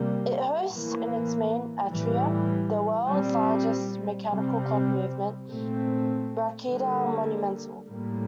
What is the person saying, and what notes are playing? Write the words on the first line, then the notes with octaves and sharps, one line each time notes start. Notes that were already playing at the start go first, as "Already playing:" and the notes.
It hosts in its main atrium the world's largest mechanical clock movement: Raketa Monumental.
Already playing: C3 G3 A#3
A2 E3 A#3
A2 E3 G3
A#2 G3 C4
C3 G3 C4
A#2 A3 C4
D3 G3 A#3
A2 G3 A#3